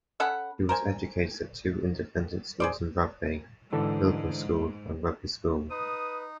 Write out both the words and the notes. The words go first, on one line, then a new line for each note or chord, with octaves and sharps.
He was educated at two independent schools in Rugby: Hillbrow School and Rugby School.
C#4 A4 F#5 B5
A#4 C5 G#5
G#4 C5 D5
G#2 D3 E3 A4
D#4 B4 D#6